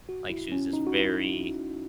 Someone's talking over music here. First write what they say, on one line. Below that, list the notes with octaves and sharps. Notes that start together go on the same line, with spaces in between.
Like, she was just very,
F#4
E4
C#4
D#4
F#4
E4